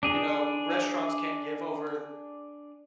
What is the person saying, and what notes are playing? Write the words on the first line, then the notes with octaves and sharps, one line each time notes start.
you know, "Restaurants can't give over th
D4 G#4